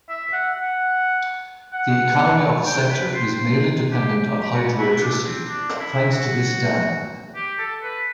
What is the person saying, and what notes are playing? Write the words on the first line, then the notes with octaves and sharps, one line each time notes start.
The economy of the sector is mainly dependent on hydroelectricity thanks to this dam.
E5
F#5
F#5
F#5
G5
B4
C5
C5
G4
G4
F#4
E4
D4
C4
D4
E4
F#4
G4
A4
B4